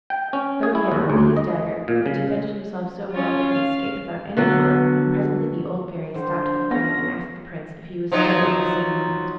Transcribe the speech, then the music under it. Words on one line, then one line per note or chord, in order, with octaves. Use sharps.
Though he had only his dagger, he defended himself so well that he escaped without any harm, and presently the old Fairy stopped the fray and asked the Prince if he was still of the same mind.
G5
C#4
G#4
E4
D#2
D2
D#5
A#2
C#3
C#4 F4
F5
D3 F#3 B3
D3 G3 C5
B3 C#4 F4 A4 A#6
F3 F#3 D#4